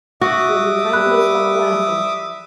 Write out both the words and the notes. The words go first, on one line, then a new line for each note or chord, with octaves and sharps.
Will you kindly stop ranting?
F#4 E5 D6 D#6
G3 B5 F#6